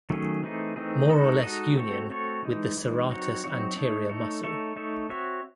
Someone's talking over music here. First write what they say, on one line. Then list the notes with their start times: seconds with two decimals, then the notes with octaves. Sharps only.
More or less union with the serratus anterior muscle.
0.10 D#3 F#3 A3 C#4 G#4
0.43 E3 A3 C4 D#4 G#4
0.76 E3 A3 C4 D#4 G#4
1.10 G#3 D#4 F#4 A4 D#5
1.43 G#3 D#4 F#4 A4 D#5
1.76 A3 C4 F#4 A4 C#5
2.10 A3 C4 F#4 A4 C#5
2.43 E3 G#3 D#4
2.77 E3 G#3 D#4
3.09 F#3 C4 D#4 F#4 C#5
3.44 F#3 C4 D#4 F#4 C#5
3.76 A3 D#4 A4 C#5
4.10 A3 D#4 A4 C#5
4.43 A3 D#4 A4 C#5 E5
4.76 A3 D#4 A4 C#5 E5
5.09 C4 F#4 C#5 E5